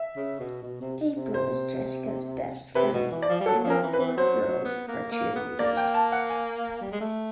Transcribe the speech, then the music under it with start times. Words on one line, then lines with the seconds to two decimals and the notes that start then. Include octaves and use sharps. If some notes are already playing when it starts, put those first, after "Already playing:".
April is Jessica's best friend, and all four girls are cheerleaders.
Already playing: E5
0.16 C#3
0.39 B2
0.63 B2
0.81 C3
1.16 C3
1.34 C5
2.75 C3 B4
2.93 B2
3.11 E3
3.22 D5
3.29 F3
3.41 G3
3.46 F#3 A4
3.64 F3
3.70 A#4
3.82 E3
3.93 B4
3.99 E3
4.17 F#3 C5
4.42 F#3
4.64 B3
4.88 A#3
5.12 A#3
5.35 B3
5.59 A#3 D5
5.77 G5
5.94 A5
6.12 F#5
6.30 G#5
6.81 G3
6.92 G#3
7.01 A3